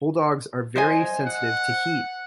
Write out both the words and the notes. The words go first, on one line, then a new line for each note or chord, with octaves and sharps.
Bulldogs are very sensitive to heat.
C5 D#5 G#5
F#5